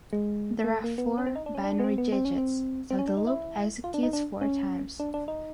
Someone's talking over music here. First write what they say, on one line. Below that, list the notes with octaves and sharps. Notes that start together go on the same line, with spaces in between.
There are four binary digits, so the loop executes four times.
G#3
A#3
A3
A#3
B3
C#4
C4
D#4
D4
C#4
D4
B3
C4
B3
C4
C#4
C4
C4
C#4
D4
D#4
E4
F4
D4
D#4
D4
C#4
D4
D4
D#4